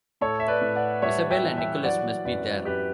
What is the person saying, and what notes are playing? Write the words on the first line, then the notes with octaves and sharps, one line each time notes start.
Isabel and Nikolas must be there.
A2 A4 C#5
E5
B4 D5
A2
D5 F#5
G3 C#5 E5
E5 G5
E3
E5 G5
F#3 D5 F#5
F#2 B4 D5
F#2 G4 B4